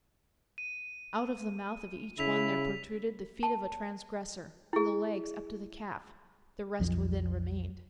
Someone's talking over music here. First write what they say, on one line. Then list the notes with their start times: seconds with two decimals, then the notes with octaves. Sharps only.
Out of the mouth of each one there protruded The feet of a transgressor, and the legs Up to the calf, the rest within remained.
0.58 D#7
2.19 C#3 E4 B6 F7
3.43 A5
4.73 E4 G#4
6.80 B1 F2 F3 F#3